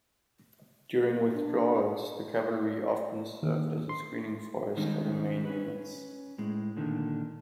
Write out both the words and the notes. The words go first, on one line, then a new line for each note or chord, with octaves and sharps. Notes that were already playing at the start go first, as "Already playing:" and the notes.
During withdrawals, the cavalry often served as a screening force for the main units.
B2 F#3 A#3
A#3 B3 D4
D#2
C6
D#3 G3 G#3 C#4 D#4
C#4 B4
A2 G#3
A#2 D3 D#3